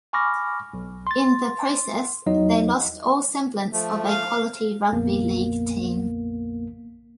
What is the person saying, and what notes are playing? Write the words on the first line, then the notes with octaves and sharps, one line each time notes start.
In the process they lost all semblance of a quality rugby league team.
G#5 B5 C#6 D6 F6 A#6
B1
C6 A6
E2 F#3 D#4 D#5
F3 A3
F5
A#1 F2 A#3 B3